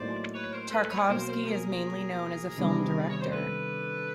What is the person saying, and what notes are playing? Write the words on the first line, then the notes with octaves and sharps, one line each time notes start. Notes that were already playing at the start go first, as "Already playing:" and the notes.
Tarkovsky is mainly known as a film director.
Already playing: A2 F#3 A#3 D#4 C5 D5
B4 C#5
A#4 C5
C5
A4 B4
B4 C#5
B2 F#3 A#3 A#4 C5
A#4 C5
G#4 A#4
G#4 A#4
C3 D#3 G3 B3 D4
D5
C#5
C5
A4 B4